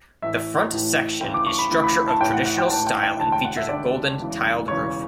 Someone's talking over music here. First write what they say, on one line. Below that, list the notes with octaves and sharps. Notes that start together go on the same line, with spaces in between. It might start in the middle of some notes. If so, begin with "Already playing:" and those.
The front section is structure of traditional style and features a golden tiled roof.
A1 A2 E3 E5
A1 A2 E3
D2 C#3 E3 G5
D6
C#6
B5
D2 C#3 E3
B5
A5
A1 A2 E3 G5
F#5
F#5
G5
A1 A2 E3 A5
G5
G5
E1 D2 D3 A5
G5
F#5
E5
E1 D2 D3 D5
E1 E2 C#3 E3
E1 E2 C#3 E3 C#5